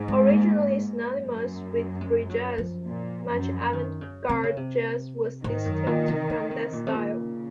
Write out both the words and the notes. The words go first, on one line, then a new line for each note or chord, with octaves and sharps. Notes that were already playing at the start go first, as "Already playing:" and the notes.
Originally synonymous with free jazz, much avant-garde jazz was distinct from that style.
Already playing: G#2
C4
A#3
F#2
G#3
F#3
F3
A#2
F#2
D#3
C#3
C3
C#3
C3
G#2 D#3
F#2
A#2
C3
C#3
C3
A#2
C3
A#2
C#3